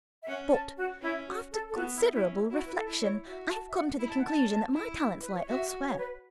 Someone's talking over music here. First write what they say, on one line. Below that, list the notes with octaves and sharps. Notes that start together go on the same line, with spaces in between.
But, after considerable reflection, I have come to the conclusion that my talents lie elsewhere.
E5
C#4 F#5
A5
F#4
C#4 E4
F#4
A4
A4
B3 F#4
E4
C#4 E4
E4
E4 F#4
B4
A4
E4
C#5
F#4 E5
A5
E5
F#5
E4 B5
A5
F#5
A5
C#4
E4
B4
C#5
F#4 E5
C#5
B4